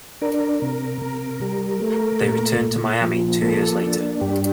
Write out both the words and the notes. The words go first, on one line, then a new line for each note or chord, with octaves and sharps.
They returned to Miami two years later.
D4 A#4
C3
C3
G3
A3
A#2
A#2
F3
A#3 A4
D4
G2 G4